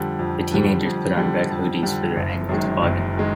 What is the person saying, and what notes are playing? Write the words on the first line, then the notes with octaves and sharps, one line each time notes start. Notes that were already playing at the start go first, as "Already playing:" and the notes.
The teenagers put on red hoodies for their annual toboggan run.
Already playing: F2 D3 G3
F2
D3 G3
F2
D3 G3
F2
D3 G3
F#1
F#2 D#3 G#3
F#1
D#3 G#3